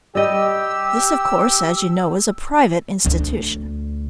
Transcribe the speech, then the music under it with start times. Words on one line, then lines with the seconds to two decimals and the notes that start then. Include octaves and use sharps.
This, of course, as you know, is a private institution.
0.15 G3 G4 D#5 E6
3.05 D2 D3